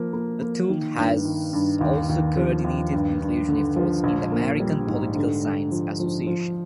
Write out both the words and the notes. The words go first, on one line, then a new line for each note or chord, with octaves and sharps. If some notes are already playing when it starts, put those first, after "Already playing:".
Htun has also coordinated inclusion efforts in the American Political Science Association.
Already playing: F3 A#3
A#3
A#3
D#3
G2
D#3
G2
D#2
D#2
F3
D#2
G2
G2
D3
F3
A#1
A#3
G3
G#2
D3
D3
F3
F3
F3